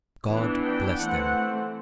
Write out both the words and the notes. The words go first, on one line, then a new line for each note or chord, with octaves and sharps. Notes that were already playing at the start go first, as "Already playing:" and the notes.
God bless them!
E3 B3 D4
G5
E3 A3 C4 F#5